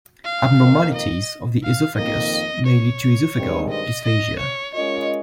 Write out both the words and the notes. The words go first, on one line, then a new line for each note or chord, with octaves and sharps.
Abnormalities of the esophagus may lead to esophageal dysphagia.
F5
F2 D#3 A#3
D#5
F5
F2 D#3 A#3 D#5
C#5
G2 D#3 G#3 C4
D#5
D#5
C#5
G#3 C#4 F4 A#4 C#5 D#5